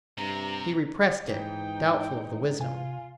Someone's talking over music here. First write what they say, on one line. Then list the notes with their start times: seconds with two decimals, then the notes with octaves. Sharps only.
He repressed it, doubtful of the wisdom.
0.18 G2 C3 A#5
1.27 G#2 E3 D#4 G5
2.60 C3 F4 G#5